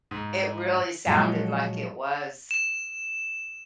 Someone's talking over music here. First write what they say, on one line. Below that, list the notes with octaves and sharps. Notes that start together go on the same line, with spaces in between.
It really sounded like it was,
G#2
A#2 F3 F#3 G#3
E7